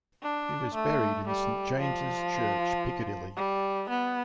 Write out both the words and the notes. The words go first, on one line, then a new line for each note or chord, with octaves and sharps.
He was buried in Saint James's Church, Piccadilly.
D4
A3
G3
F3
G3
B3